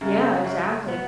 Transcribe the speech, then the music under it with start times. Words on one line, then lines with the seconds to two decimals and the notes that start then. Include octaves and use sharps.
Yeah, exactly.
0.01 F#2 C#3
0.44 F#2
0.87 B2 B3